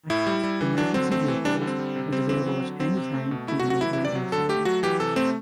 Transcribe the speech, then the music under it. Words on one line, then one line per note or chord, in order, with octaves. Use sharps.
Access to emergency vehicles is available at any time through the neighbouring airfield.
A2 E4
G3
G3
E3
F#3 D4
D3 C4
A3 C4
E3
G3 D4
D3
C4
G3
C3
G3 C4
E3 C4
F#3
D3
F#3 C4
C3
A3
B2
A3 E4
F#4
F#3
F#4
E3 E4
E4
C3
D5
F#3
D3 A4
A3 G4
F#3 F#4
E3 G4
C3 A4
A3 C4